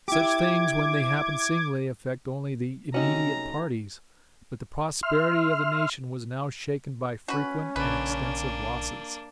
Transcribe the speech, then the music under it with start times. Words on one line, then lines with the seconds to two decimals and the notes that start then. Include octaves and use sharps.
Such things, when they happen singly, affect only the immediate parties; but the prosperity of the nation was now shaken by frequent and extensive losses.
0.08 E4 G4 D6 G#6
2.94 C3 A3 C#4 D#4 F#4 A#5
5.03 E5 C6 F6
7.28 C#4 F#4 B4
7.76 A#1 C#3 A#3 D4 B4